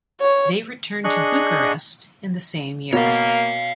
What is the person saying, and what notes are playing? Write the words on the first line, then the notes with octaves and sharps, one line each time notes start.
They returned to Bucharest in the same year.
C#5
D4 G#4 D#5 C#6 F#6
B2 A#3 C#5 F5